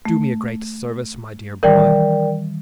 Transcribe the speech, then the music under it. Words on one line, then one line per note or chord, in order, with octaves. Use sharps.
Do me a great service, my dear boy.
A3
D#3 E3 G3 A#4 D5 G5